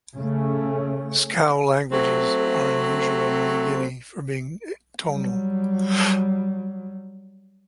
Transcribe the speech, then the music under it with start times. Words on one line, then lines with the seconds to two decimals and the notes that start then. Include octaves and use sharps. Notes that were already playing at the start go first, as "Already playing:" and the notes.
Skou languages are unusual in New Guinea for being tonal.
0.18 C#3 A3 C#4
1.91 F#3 A3 C4
5.09 F#3 G3